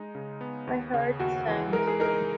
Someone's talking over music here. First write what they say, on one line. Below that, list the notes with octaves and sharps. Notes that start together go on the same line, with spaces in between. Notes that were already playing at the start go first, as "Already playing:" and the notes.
My heart sank.
Already playing: G#3 D#4
C#3
B3
D#2
C#3
D#2 F#4
E3
G#3 A#4
G#4
D#4 A#4